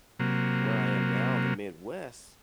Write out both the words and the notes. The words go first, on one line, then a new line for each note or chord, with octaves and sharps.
where I am now in the Midwest,
C3 F#3 A#3